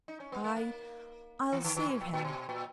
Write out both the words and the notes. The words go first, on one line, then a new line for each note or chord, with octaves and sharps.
I... I'll save him.
D#4
C#4
B3
A#3
A#3
E3
D#3
D#3
B2
A#2
A#2
B2
A#2